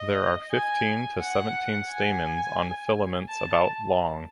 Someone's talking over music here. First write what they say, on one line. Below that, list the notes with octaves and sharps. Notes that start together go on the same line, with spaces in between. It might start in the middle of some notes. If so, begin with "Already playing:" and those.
There are fifteen to seventeen stamens on filaments about long.
Already playing: D#5
G#5
F#5
G#5
A5